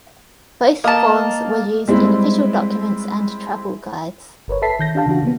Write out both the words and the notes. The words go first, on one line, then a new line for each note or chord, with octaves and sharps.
Both forms were used in official documents and travel guides.
A#3 D#5 A5
G3 G#3 C4 E4
G1 A#4 B4 C#5
A4 B4 E5 A5 B6 C7
D#3 G6 A#6
D4 G4 F5 A5
C#3 E3 D4 F#4
C#3 A#3 B3